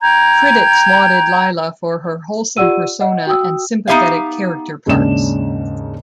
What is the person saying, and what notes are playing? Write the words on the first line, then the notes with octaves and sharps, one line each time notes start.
Critics lauded Lila for her wholesome persona and sympathetic character parts.
G5 A#5 G6 G#6
F4 G4 D5 F#5 E6 D#7
D#5 F#5
F#4 G5 D#6 E6
B3 D#4 F4 G4 E5 F5
D#2 G#2 C#3 C#4 D4 E7